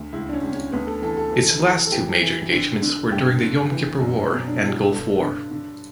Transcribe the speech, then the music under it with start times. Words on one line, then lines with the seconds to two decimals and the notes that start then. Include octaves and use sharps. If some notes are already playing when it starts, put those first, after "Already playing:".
Its last two major engagements were during the Yom Kippur War and Gulf War.
Already playing: D2
0.13 C#2 E4
0.29 D4
0.33 C#4
0.42 C#2
0.52 C#4
0.72 D2 B3
0.87 A4
1.02 E3 A4
1.17 A4
1.32 E3
1.62 E3
1.87 A4
1.92 E3 G4
2.22 E3
2.51 D3
2.82 D3
3.11 G2 G4
3.41 D3
3.72 E3
4.01 F#2
4.32 B2
4.48 D4
4.59 B2 E4
4.70 F#4
4.80 G4
4.91 G2 A4
5.21 D3
5.51 D3